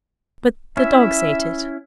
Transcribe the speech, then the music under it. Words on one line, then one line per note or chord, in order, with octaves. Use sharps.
But the dogs ate it.'
C#4 E4 E5